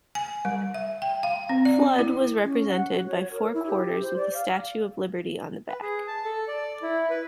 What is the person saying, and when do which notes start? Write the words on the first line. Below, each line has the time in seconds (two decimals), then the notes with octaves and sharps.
Flood was represented by four quarters with the Statue of Liberty on the back.
0.15 G#5
0.45 G3
0.74 E5
1.02 G5
1.23 F5
1.49 C4
1.65 D5
1.99 E4
2.44 C#4
2.68 F#5
2.93 F#4
3.07 C#5
3.31 A#4
3.54 E4
3.67 G4
4.02 C5
4.16 D5
4.34 F5
5.68 B4
5.82 G#4
6.08 A5
6.25 A4
6.48 D5
6.82 E4
7.10 B4